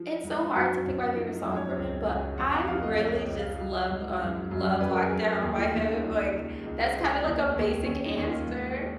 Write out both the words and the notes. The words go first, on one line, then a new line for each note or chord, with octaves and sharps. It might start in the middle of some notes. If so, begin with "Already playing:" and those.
it's so hard to pick my favorite song from him, but I really just love, um, Love Lockdown by him, like that's kind of like a basic answer.
Already playing: F3
G#2
D#4
F4
F#2 F#4
F#2
F3 D#4
D#4
F#2
C#5
C#2
C#2
F2 F#5
F#5
F2 F5
D#5
C#2 C#5
D#5
C#2
F5
F#3
G#2
F#2
F#2
F#2 B4
A#4
G#4
F#2 A#4
D#2 G#4
F4
D#2 D#4
C#4
C#2 D#4
C#2
C#2
C#2
D#2
D#2
D#2 C#4
D#4
D#2
F4
G#2